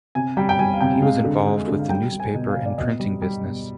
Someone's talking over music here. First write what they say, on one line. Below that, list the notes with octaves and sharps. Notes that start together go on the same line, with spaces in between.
He was involved with the newspaper and printing business.
C3 G#5
G3 G5
G5
G3 G#5
F5
C3 G5
G#3 F5
D3
G#3
D3
F5
G3 G5
G3
G#5
B2
F5
B2
D5
B2 D#5
G3
G3
B2